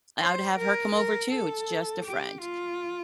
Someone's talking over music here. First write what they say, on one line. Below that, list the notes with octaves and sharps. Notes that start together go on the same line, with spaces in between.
I'd have her come over, too, it's just a friend."
C5
A#4
A#4
A4
G4
F4